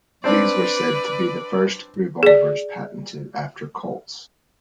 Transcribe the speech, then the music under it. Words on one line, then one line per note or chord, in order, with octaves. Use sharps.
These were said to be the first revolvers patented after Colt's.
C4 D4 B4 D5
G#4 D5